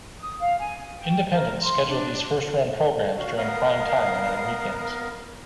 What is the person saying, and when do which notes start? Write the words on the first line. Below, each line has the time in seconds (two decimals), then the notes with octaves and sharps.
Independents scheduled these first-run programs during prime time and on weekends.
0.21 D#6
0.40 F5
0.58 G#5
0.96 G5
1.32 A#4
1.62 C6
1.87 D4
3.18 F#4 F5
3.36 B3 A#4 F5 D#6